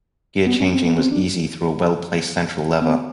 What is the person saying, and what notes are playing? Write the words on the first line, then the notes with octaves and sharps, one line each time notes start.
Gear changing was easy through a well-placed central lever.
B3
C#4
C4
B3
C4
D4
B3